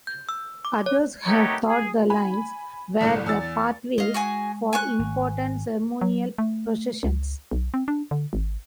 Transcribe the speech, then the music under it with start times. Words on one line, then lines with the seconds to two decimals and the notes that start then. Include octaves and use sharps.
Others have thought the lines were the pathways for important ceremonial processions.
0.07 G6
0.29 E6
0.65 D6
0.86 C#5
1.26 A3 B3 D#4 G4 A#4 C#5
1.68 G#4
2.10 G#5 B5
3.01 G1 C2 A2 C#7
3.26 E2 E6 A6
3.98 G#3 D#5 F5
4.14 F#4 G#4 G#5
4.73 G#5 C#6 F#6
4.99 G#1
6.01 F#3
6.38 A3
7.03 C#2
7.51 B1
7.74 C4
7.88 D4
8.11 D3
8.33 G#1